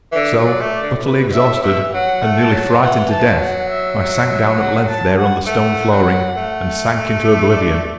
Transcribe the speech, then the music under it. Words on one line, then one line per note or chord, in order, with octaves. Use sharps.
So, utterly exhausted, and nearly frightened to death, I sank down at length there on the stone flooring, and sank into oblivion.
E3
D3 E5
F#3
D5
A3
D5
D3
A2
B2 B4
A2 E5
A2
B2 E5
E3
F#3 F#5
A3
A5
F#3
E3 F#5
A5
E3
F#3
F#5
E5
E5
E5
F#5
A5
F#5
A3 F#5
F#3
A3
E5
D5